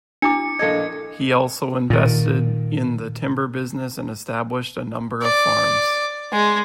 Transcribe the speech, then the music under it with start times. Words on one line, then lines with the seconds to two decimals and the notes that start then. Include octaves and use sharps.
He also invested in the timber business, and established a number of farms.
0.22 D4 E4 D6 C#7
0.59 A#1 A4 D#5 G#6 C#7
1.90 A#2 D#3
5.23 D5
6.32 G#3